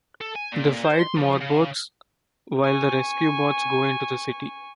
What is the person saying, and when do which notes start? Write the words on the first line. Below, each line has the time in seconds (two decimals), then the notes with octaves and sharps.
They fight Morbots, while the Rescue Bots go into the city.
0.21 A4
0.36 G#5
0.52 A#2
0.84 C5
0.99 C6
1.16 F3
1.41 C#3
2.64 G#5 C#6